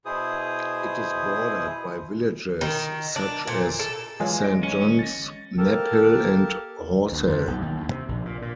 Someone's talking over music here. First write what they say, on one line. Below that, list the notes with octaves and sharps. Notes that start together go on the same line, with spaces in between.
It is bordered by villages such as Saint John's, Knaphill and Horsell.
B2 E4 G#4 C5 D#6
D#3
D4
A#2
A4
E3 F#3 G#3 F4 G#4 G#5
A#6 D7
C#4
A6 A#6
A#3 G4 A4 A#4
D2
F2
B1
D#2
D2
C3
A#1
A#2
A#2